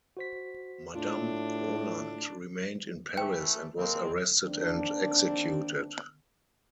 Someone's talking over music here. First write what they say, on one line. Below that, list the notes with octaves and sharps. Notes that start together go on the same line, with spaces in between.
Madame Roland remained in Paris and was arrested and executed.
F#4 C5 B6
A2 D4 F4
E3 A3 G5
G#3 A#3 C4
D#3 A#3 C4 D4